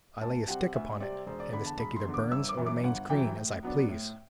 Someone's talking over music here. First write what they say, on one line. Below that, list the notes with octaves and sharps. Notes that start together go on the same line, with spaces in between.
I lay a stick upon it and the stick either burns or remains green, as I please.
D2 A5
C3 G3 C4 F#5
D2 E5
C3 G3 C4 D5
E1 C5
D5
E2 D3 B5
A5
E1 B5
C6
E2 D3
D6
G1 E6
D6
F#2 E3
D6
G1 F#5
F#2 E3 G5
A2
F#3 B3 D4
A2